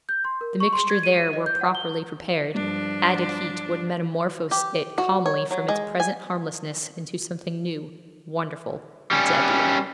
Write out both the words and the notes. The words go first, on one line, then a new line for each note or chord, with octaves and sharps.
If the mixture there were properly prepared, added heat would metamorphose it calmly from its present harmlessness into something new, wonderful, deadly.
G6
C6
A#4
C#6
C6
G#6
D#7
D#5
G6
F#5
G7
G2 F3 D4
G4
F#4
C#5
F#3
G#3
G#5
G3 C#4